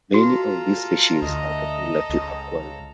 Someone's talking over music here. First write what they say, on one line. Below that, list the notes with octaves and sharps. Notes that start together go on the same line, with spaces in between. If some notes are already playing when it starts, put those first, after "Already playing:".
Many of the species are popular for aquaria.
F4 F#4 A4 A#5
D2 D#5
C#2